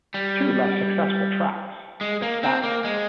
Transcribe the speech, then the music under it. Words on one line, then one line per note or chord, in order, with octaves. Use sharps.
Two less successful tracks, The Spell!
G3
G#3
A#3
C4
A#3
G#3